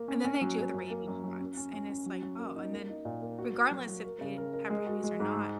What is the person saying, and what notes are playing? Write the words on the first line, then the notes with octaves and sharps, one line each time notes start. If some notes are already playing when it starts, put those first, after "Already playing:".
And then they do the rabies shots, and it's like, "Oh" and then, regardless if they have rabies or not,
Already playing: A#3
C#4
C#4
F#3
C#4
F#2
A#3
F#2
F#3
C#4
C#4
C#4
C#4
F#3
F#3
A#3
D#4
A#3
D#4
A#2
A#3
F#4
A#4
F#3
F#3
A#4
C#3
A#4
A#4
G#3
F#4
G#3
G#2
G#3